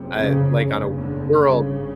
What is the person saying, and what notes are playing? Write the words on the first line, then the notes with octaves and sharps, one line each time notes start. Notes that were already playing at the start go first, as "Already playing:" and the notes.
Uh, like, on a w world
Already playing: F#1 F2 C3
C#3
F#1 E2 C#3
D3
G#1 G2 C#3